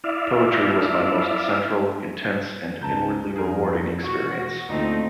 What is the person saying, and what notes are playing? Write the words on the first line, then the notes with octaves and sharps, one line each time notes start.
Poetry was my most central, intense and inwardly rewarding experience.
E4 D5 E5 F5
C#2 A5 A#5 G6
F2 G#4 A#4
C2
E1 F#4
A#6
D2 A#2 A3 C4 D#4